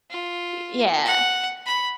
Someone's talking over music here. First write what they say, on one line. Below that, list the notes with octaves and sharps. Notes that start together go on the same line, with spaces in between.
y yeah.
F4
F#5
B5